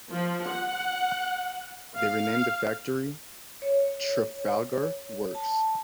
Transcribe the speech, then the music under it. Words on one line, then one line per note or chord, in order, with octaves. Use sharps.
They renamed the Factory "Trafalgar Works".
F3
F#5
F5
C#5
A5